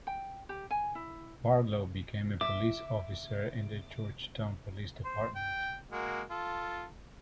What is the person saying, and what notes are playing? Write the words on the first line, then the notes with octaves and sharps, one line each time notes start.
Barlow became a police officer in the Georgetown Police Dept.
G5
G4
G#5
E4
E5 D6
C5
G5
G#3 A#3 F#4
F4 A4